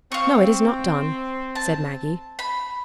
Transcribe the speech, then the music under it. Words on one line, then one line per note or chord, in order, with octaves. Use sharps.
"No, it is not done," said Maggie.
C4 F5 C#6
A5
B5